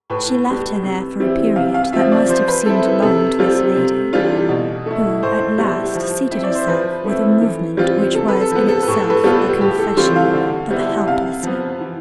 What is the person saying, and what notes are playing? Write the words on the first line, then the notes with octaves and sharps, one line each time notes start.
She left her there for a period that must have seemed long to this lady, who at last seated herself with a movement which was in itself a confession of helplessness.
A2 B4
G3 B3
C3
E3 G3 C4 E4
C3 F5
F5
F3 C4 F4 E5
D5
F3 C5
B4
C4 E4 A4
B4
C3 A4
G3 C4 F4
C3
E3 G3 D4 F4
B2
A3 E4
A2 C5
G3 B3 E4
F3
C4 E4 E5
D5
C5
F3 B4
A3 C4 E4
E3
G3 C4 F4
C3 A4
B4
A4
F3 B3 B4
A4
A2 B4
A4
B4
G3 B3 F4 A4
A2 G4
A4
E3 G3 C4 F4 C5
F5
D3
G3 B3 E4
C3 F5
F3 B3
E3